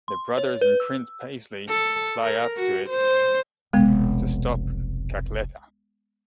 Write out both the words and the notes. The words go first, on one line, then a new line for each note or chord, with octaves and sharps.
The brothers and Prince Peasley fly up to it to stop Cackletta.
C6
C#5
B4
E6
A4
A#4
F#4
C5
F1 B1 G#3 B3